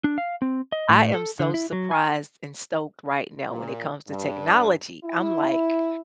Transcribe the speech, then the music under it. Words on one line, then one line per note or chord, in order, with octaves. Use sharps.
I am so surprised and stoked right now when it comes to technology. I'm like,
D4
F5
C4
D#5
A2
A4
D3
E4
F#3
G#5
A#2
G2
E4